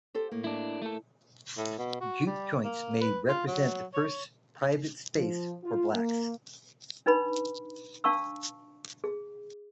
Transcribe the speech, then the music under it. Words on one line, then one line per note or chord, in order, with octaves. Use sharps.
Juke joints may represent the first "private space" for blacks.
G4 A4 C5
A2 A#3
D4 E4
A3 A4
A2
B2
F#4
G3
A#3
B4
F4
F#3
C#5
F3
F4
A#3
D4 D#4 B4 B5
D4 F5 A5 C#6 E6
G#4